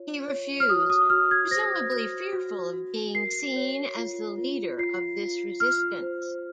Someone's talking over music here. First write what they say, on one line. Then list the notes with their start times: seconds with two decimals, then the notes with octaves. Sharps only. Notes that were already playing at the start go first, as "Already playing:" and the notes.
He refused, presumably fearful of being seen as the leader of this resistance.
Already playing: F4 C#5
0.28 C#5
0.60 F6
0.69 F#4 D#6
0.90 D#6
1.10 F#4 F6
1.31 G#6
1.51 C5 A#6
1.93 F#4
2.33 F#4
2.73 F#4
3.15 A#4 C7
3.56 C#5
3.97 F4
4.38 F4
4.78 F4 C7
5.19 F4
5.60 F4 F6
6.02 C5